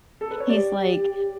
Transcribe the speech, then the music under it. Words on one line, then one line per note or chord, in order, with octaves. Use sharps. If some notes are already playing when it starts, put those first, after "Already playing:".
he's like,
A4
B4
C#5
G4 D5